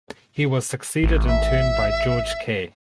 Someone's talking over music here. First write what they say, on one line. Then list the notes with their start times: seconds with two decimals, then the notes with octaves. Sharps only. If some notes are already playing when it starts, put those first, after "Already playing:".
He was succeeded in turn by George Kay.
1.03 A1
1.27 E5